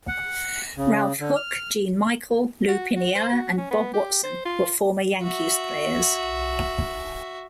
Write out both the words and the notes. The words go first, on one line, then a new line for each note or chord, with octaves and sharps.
Ralph Houk, Gene Michael, Lou Piniella, and Bob Watson were former Yankees players.
F#5
C#3
D3
F6
F#4
F#4
C5
F#4
C#4
B3
G4
C5
F4
F#4 E5